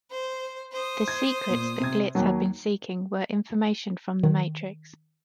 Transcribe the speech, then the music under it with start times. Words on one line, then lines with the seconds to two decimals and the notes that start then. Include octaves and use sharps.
The "secrets" that Glitz had been seeking were information from the Matrix.
0.11 C5
0.72 C5 D#6
1.08 G#6
1.50 A#2
1.80 C3 G#6
2.15 D#2 D#3 F#3
4.23 D#3